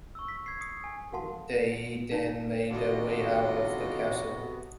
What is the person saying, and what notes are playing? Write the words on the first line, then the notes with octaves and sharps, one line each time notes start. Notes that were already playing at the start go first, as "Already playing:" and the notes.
They then made their way out of the castle.
C#6 E6
B6
G#6 C7
D#6 C7 C#7
G#5
F#4 A#4 F5 F#5 A5 C6
D#4 C#5 A5
C3 D#3 B3 D4 F4 F#4 A4 D#5